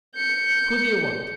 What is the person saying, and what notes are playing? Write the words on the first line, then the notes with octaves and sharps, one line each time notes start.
"Who do you want?"
G6 C#7